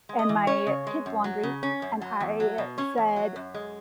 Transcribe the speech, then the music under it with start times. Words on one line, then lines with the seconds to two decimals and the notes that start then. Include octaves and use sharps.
and my kids' laundry. And I said,
0.09 G#3
0.19 D#5
0.29 E3
0.47 C#4 C#5
0.67 C#3
0.87 G#3
1.06 F#2
1.24 F#3
1.43 C#3
1.63 C#4
1.82 F#2
2.02 F#3
2.20 E2
2.40 F#3
2.58 B2
2.78 C#4 C#5
2.98 E2
3.16 F#3
3.36 F#2
3.54 G#3